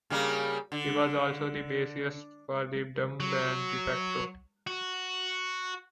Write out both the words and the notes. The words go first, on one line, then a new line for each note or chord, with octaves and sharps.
He was also the bassist for the dub band De Facto.
C#3 G3 A#3
D3
F#3
F#4